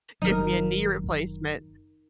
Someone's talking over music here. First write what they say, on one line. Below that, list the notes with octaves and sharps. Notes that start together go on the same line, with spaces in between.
give me a knee replacement."
F#1 D#3 F#3 D#4 A#4